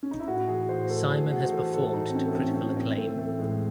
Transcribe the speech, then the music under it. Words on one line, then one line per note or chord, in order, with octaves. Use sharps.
Simon has performed to critical acclaim.
C#4
D#4
E4
A2 F#4
E3 G#4
A2 C5
A2 A4
A2 G#4
E3 F#4
C5
E3 A4
A2 A4
A2 D#4
C4
E3 C#4
A3
A2 C4
C#4
E3 C4
A2 C4
A2 A3
E3 A3
A2 G#3